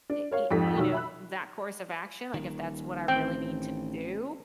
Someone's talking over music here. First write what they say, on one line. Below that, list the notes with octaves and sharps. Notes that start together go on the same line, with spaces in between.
uh uh, it it you know, that course of action, like, if that's what I really need to do
D4
A#4 C#5 F5
F2 G#2 G4 A4 B6
B1 D#3 F#3 E6
E5 B5 F#6
D#1 D#3
A1 C4 G5